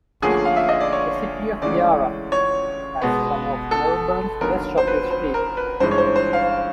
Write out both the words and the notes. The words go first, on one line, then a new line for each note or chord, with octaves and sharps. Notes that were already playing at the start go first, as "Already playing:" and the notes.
The City of Yarra has some of Melbourne's best shopping streets.
D2 D3 F3 A#3 C#4 G#4
F5
E5
D#5
D5
C#5
D2 C#3 E3 G#3 C#4 D5
C#5
B2 G#3 B3
A4
D#2 D3 F#3 B3 A#4
C5
B4
C5
A#4
B4
G2 E3 G#3 C#4 C5
C#5
C5
C5
F5